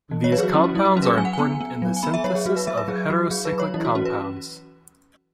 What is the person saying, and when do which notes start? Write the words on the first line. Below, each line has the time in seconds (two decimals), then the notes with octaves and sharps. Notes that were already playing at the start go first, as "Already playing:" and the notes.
These compounds are important in the synthesis of heterocyclic compounds.
0.11 E3
0.24 C#5
0.32 F#3 B4
0.38 G#4
0.43 F#4
0.53 C#4 E4
0.64 F#4
0.75 F#3 E4
0.85 F#4
0.97 C#4 F#4
1.02 B4
1.07 G#4
1.17 F#3 G#5
1.25 F#5
1.33 G#5
1.39 B3
1.61 B3
1.82 F#3
1.96 G#5
2.03 B3 B5
2.14 E5
2.24 F#3 C#5
2.35 G#4
2.46 F#3 F#4
2.56 B4
2.67 F#3 E5
2.78 B4
2.88 F#3 G#4
3.10 F#3 F#4
3.31 F#3 G#4
3.45 B4
3.52 F#3
3.60 C#5
3.74 E3 E4
3.85 F#4
3.95 C#4 F#4
4.05 B4